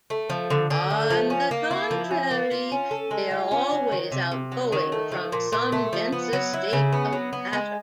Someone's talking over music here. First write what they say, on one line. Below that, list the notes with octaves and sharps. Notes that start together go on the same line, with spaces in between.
On the contrary, they are always outgoing from some denser state of matter.
A3
F3
D3
D3
A3
F3
C#4
A#3
E4
F3
C#4
A#3
F4
C#4
A4
G#3
F4
C#4
F#3
D#3
C3
C3
F#3
D#3
A3
F3
A#2
A#2
A3
F3
B3
F#3
E4
C#3
B3
F#3
B3
G#3